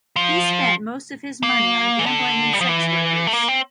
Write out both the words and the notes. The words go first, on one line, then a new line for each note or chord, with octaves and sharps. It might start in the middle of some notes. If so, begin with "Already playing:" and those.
He spent most of his money on gambling and sex workers.
F3
A#3
E3
D3
G3
F3
E3
A3
A#3
C4